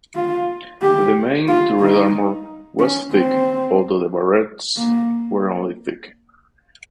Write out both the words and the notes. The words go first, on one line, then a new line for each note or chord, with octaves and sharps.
The main turret armor was thick although the barbettes were only thick.
F4
G4
F4
D#4
C#4
C4
A#3